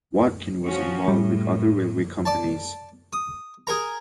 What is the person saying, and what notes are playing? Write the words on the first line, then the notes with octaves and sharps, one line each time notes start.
Watkin was involved with other railway companies.
F3 C#4 F#4
A2 G3
D5 A5
D#6
G#4 A#4 A#5